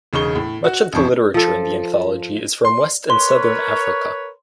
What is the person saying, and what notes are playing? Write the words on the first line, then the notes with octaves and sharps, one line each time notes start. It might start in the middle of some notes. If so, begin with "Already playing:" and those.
Much of the literature in the anthology is from West and Southern Africa.
E1 C#3 D#4 C#6 G7
A2
F#4
A1 F2 C#6
F3 A4
C6
A#4 B4 C#5 C6